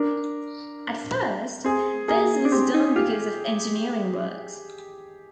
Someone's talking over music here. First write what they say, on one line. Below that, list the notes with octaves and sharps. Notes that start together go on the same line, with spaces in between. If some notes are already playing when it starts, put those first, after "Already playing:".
At first, this was done because of engineering works.
Already playing: D4 A#4
C4 G#4
A#3 G#4
D4
C4 G4
D#4
F4 G4